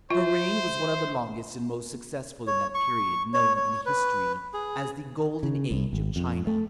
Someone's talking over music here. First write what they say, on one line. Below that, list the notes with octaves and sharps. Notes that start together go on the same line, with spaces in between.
Her reign was one of the longest and most successful in that period known in history as the Golden Age of China.
F4 C5 E5
C#5
C#6
C#5
C#5
B4
G#4
C#3
C2
G#1
F2
A3